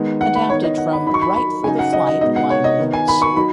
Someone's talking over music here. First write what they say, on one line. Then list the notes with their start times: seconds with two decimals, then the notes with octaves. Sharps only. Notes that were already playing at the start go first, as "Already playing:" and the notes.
Adapted from "Right for the Flight" liner notes.
Already playing: D#3 G#3 B3 D#4
0.21 F#5
0.35 B5
0.50 D#3 B3 D#4 C#5
0.64 D#5
0.78 F#5
0.93 B5
1.07 D#4 B5
1.11 F#3 C#6
1.22 B5
1.36 B5
1.64 C#3 F#3 D#4 G#5
1.79 F#5
1.93 D#5
2.07 D#5
2.21 B2 G#3 B3 D#4 D#5
2.36 F#5
2.50 C#5
2.64 D#5
2.79 D#3 B3 D#4
2.93 G#5
3.08 B5
3.22 C#6
3.36 F#3 D#4 B5